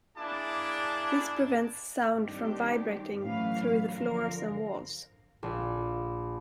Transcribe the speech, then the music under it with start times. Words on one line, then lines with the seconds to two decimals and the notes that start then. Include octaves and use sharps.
This prevents sound from vibrating through the floors and walls.
0.17 A#3 D4 E4 G#4 A5 D6
2.20 D#3 G3 C4 D4 G4
3.24 A2 E3 F#3 C#4 B4 F5
3.93 D3 F3 A#4 F5
5.43 A#1